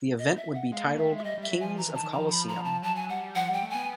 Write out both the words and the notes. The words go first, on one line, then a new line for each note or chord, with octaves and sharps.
The event would be titled "Kings of Colosseum".
D#5
D#5
E5
F#5
G#3 F5
A#3
A3 E5
G#3
E5
G3 D#5
G3 E5
F#3
F3 G#5
E3 A#5
D#3
A5
D#3
F3 A#5
B5
A#5
A5
F#3 A5
G#5
G3 F#5
F3 F#5
G3 G5
A3
B3 G#5